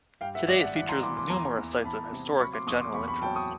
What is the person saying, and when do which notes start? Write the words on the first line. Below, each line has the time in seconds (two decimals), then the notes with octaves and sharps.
Today, it features numerous sites of historic and general interest.
0.21 G2 F5 G5
0.35 E5 F#5
0.48 G#1 D5 E5
0.62 E5 F#5
0.76 E3 E5 F#5
0.89 A#5 C6
1.03 E3 C6 D6
1.17 C6 D6
1.30 E2 A#5 C6
1.58 E2
1.84 E2 A5 B5
2.13 C3
2.40 F#3 B5 C#6
2.53 C6 D6
2.67 E2 C#6 D#6
2.80 C6 D6
2.94 E2 B5 C#6
3.08 B5 C#6
3.22 F#3 G5 A5
3.35 C#6 D#6